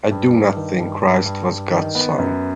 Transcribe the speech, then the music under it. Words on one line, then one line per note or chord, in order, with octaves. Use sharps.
I do not think Christ was God's son.
G2
G2
D#3
G2
G2
G2
G2
D#3
B3
F#2